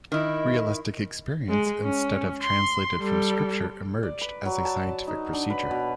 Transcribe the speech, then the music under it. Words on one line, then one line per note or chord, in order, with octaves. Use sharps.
Realistic experience, instead of translated from scripture, emerged as a scientific procedure.
D#3 E4 D#5
G#3
C#4
C6
G3 A4
D5
B4
F#3
A5
D#4
D4
B4
B2